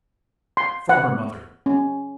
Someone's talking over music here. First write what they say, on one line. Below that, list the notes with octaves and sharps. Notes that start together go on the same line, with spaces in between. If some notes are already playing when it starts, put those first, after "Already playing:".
From her mother.
C6
F#5
C#4